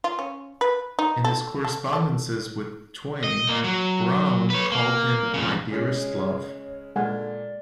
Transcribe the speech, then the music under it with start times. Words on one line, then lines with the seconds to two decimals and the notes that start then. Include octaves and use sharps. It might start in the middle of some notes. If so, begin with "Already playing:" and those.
In his correspondences with Twain, Browne called him My Dearest Love.
0.04 F4
0.19 C#4
0.61 B4
0.99 D#4
1.24 A4
1.65 A4
1.93 A4
3.24 D#5
3.49 A#2 A#3
3.64 F#3
4.50 B4 C#5
4.72 A#3
5.34 F2 C#3
5.72 C#3 G#3 G#4 C#5
6.96 A#2 D3 G#3 D5 F#5 G#5